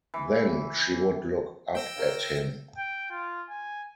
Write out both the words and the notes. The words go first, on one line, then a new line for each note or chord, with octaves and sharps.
Then she would look up at him.
E3
G5 E6 A#6
A#4 C#5 F5
G5
F4
G#5